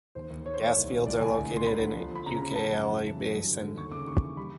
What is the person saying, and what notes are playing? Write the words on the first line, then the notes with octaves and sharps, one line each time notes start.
Gas fields are located in Ucayali Basin.
D#2 C5
D#2
D#2 C#5
C5
D#2 C#5
C2
A#2
C2 D5
C2 G#5
D2
D2
C6
D2 B5
D3
F3
F3 B5
C#3 A#5
C#3
C#3 A5
F#2
E3
F#2
F#3
G2
D3
D3
D#2 C#6
C#3 D6
D#2 C#6
E3
G3 B5